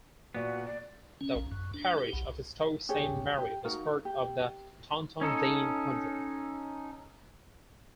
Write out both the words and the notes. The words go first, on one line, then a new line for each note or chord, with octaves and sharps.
The parish of Stoke Saint Mary was part of the Taunton Deane Hundred.
A#2 B3 F#4 D5
D5
C#4
A#1
F#2
D4
G4
B1
D4 G4 G#4 C#5
G4
D#4 F#4 A#4 F5
G4
C#4 D#4 A4